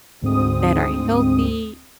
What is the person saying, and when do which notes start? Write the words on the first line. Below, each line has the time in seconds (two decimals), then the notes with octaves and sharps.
that are healthy
0.22 D2 G#2 C4 D#6